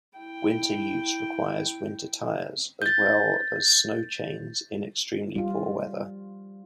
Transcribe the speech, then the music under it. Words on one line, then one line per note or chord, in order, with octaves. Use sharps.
Winter use requires winter tires, as well as snow chains in extremely poor weather.
E4 G5
G6 A6
G3 F4